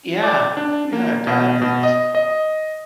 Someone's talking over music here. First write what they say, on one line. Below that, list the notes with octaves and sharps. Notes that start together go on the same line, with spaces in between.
Yeah. Yeah, it does.
D5
D4
A#3
B2
B2
D#5
D#5